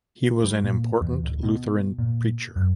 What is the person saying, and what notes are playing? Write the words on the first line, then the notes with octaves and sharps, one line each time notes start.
He was an important Lutheran preacher.
G3
A#2
E2
D1
B2
A#2
F#2